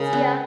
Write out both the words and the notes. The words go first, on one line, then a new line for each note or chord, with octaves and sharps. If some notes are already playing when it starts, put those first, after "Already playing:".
See ya!
Already playing: C#3 G#3 A#4
B3